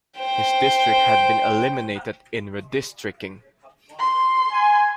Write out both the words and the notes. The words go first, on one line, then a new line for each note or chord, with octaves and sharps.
His district had been eliminated in redistricting.
C5 G5
C6
G#5